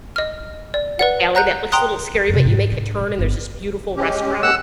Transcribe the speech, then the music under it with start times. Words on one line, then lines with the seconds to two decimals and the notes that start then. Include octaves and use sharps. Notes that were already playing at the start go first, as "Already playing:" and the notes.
The alley that looks a little scary, but you make a turn and there's this beautiful restaurant?
0.16 D#5 F6
0.74 D5
0.99 B4 D5 F#5
1.35 F#5 A#5 F#6 G6
1.72 G5 A#5 C6 D#6 F#6
2.14 G#3
2.29 F#2 C3
2.45 G#2
2.72 D4
2.99 A#2
3.18 G1 B3
3.95 G#3 C#4 G4
4.43 F#5 E6